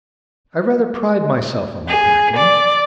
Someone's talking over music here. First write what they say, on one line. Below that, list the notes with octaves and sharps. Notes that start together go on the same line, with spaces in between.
I rather pride myself on my packing.
G#4
D5